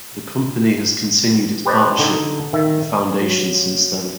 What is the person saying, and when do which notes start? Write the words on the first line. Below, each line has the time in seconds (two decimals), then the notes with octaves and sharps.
The company has continued its partnership with the Foundation since then.
1.65 G4 B4 C5 D5 D#5
1.99 D3 D#4 A4
2.53 D#3 E5
3.21 F#3